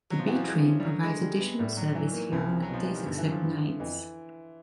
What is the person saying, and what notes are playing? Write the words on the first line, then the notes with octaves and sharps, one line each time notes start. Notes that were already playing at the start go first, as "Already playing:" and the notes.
The B train provides additional service here on weekdays except nights.
B2 F#3
F3
E3 F#4
F3
G#3
C#4
G3
D3 F#3
D3 G#3
G3
B3
A2 G3
A2 F#3
E3 F#3
D#3
A#3
C2 C#3
C4
F#3
B2 F3
E3 G3
D#3
G1 D3
E3
F#3
F3
G2
D3
F2 E3